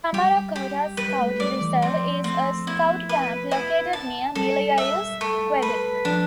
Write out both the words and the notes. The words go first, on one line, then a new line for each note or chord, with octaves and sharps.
Tamaracouta Scout Reserve is a Scout camp located near Mille Isles, Quebec.
G3 G4
G4
G3 B4
A3
G3 D5
E3
F3 C4
A3 C4
B3 E4
B4
E4
A5
G3 A4
E5
A3
B4
F3 D4